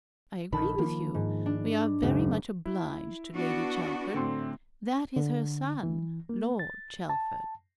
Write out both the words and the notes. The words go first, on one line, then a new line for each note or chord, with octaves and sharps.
I agree with you--we are very much obliged to Lady Chelford--that is her son, Lord Chelford.'
A#1 D3 D#3 A5 B5
D#3 F3 A#3
G#2
D4
F#1 D#2 G#2 F#3
E4
B3 D4 F#4
A2 D3 C4 C6
D3
E3
A#3
A6
A5